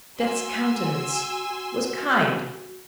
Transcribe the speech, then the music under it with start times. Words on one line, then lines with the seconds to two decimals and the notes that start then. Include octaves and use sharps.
Death's countenance was kind.
0.18 F#4 G#5 C6 E6
1.48 F#4